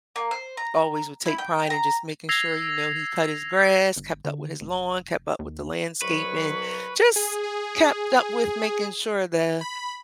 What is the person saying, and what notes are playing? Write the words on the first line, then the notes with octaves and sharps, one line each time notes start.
always would take pride in just making sure, you know, he cut his grass, kept up with his lawn, kept up with the landscaping, just kept up with making sure the
A#3
C5
A#5
E4
G5
A#5
E6 G#6 A#6 C7 F7
G1
D3
F1
D#2
C2 F#3 B4 C#6
G#4
G#4
B5